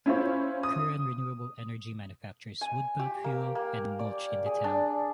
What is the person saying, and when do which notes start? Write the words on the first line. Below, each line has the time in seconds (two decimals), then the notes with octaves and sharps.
Curran Renewable Energy manufactures wood pellet fuel and mulch in the town.
0.06 C#4 E4 F4 C5 C#5
0.63 D#6
2.61 G#5
2.99 G4
3.24 A#3
3.55 A#3
3.99 D5
4.46 G#4
4.64 D4